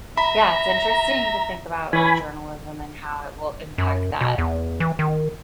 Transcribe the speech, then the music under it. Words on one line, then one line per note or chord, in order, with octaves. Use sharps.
yeah, it's interesting to think about, like, journalism and how it will impact that
E5 A#5 B5
E3 C#4 G#5 B5
F#2
B2
E2
E3
D#3